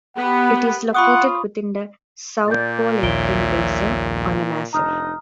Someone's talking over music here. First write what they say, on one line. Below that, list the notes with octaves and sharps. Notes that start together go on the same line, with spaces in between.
It is located within the South Pole-Aitken basin on a massif.
B3 G4 F#5
F4 F#5 B5 C#6 D#6
A#2 D5 G6 A6
A#1 D#2 C#5 E5 D7 G7
F1 D4 D#4 D#5 A#5 D#6 F6